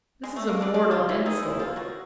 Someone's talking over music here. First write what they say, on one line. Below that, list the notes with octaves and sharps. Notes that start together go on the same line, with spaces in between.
"This is a mortal insult!"
G#3
A3
A#3
D3 D4
D3 D4
F3 F4
E3 E4
D#3 D#4
E3 E4
F3 F4
F#3 F#4